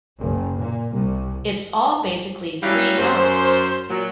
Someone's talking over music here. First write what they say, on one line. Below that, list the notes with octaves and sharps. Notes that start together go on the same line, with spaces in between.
It's all basically three notes!
F#1
A#2
C2
F#3 G3 C#4 E4 F5
F#2 C5
A#2 F#3